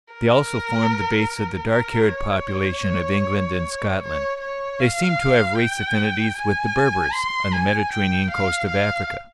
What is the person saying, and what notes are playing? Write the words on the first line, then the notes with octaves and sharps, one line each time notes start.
They also formed the base of the dark-haired population of England and Scotland. They seem to have race affinities with the Berbers, on the Mediterranean coast of Africa.
A#4
A#4
C#5
C#5
C#5
F5
G5
G#5
C6
G#5
G5
F5
F5